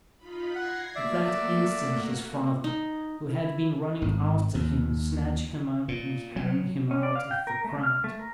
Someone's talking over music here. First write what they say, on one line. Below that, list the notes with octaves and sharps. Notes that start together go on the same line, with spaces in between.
At that instant his father, who had been running after him, snatched him up and carried him out of the crowd.
D#4 F4 B5
F#5 G#6 A#6 C7
A3 A#3 F#4 D5 E5
D#4
E4
G#1
D#2
A#2
F#3
C#4
D5
F5
G5
A#4
A3
F6
A3
A#4